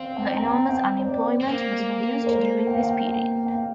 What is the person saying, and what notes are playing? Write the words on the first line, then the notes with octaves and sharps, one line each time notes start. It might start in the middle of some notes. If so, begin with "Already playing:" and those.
The enormous unemployment was reduced during this period.
Already playing: C4 F5
G5
A#5
G5
G5
C5
D5
C4
A#3
A#4
C5
G5
F5
G5
G5
G5
F5